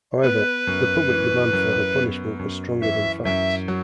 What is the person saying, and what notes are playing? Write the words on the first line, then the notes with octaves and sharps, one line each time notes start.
However, the public demand for her punishment was stronger than facts.
B3 B4
F#2
E3
F#2
B3
F#2
E3 E5
F#2 E5
F#3